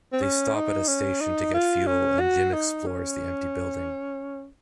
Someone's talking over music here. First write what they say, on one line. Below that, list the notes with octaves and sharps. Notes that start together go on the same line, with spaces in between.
They stop at a station to get fuel and Jim explores the empty building.
C4
C#4
D#4
C#4
D#4
F4
C#4
F#4
D#4
C#4